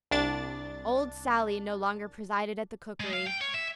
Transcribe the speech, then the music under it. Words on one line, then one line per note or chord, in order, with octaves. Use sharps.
Old Sally no longer presided at the cookery.
C2 D4 A6
G#3
F5
G5
C#5
E5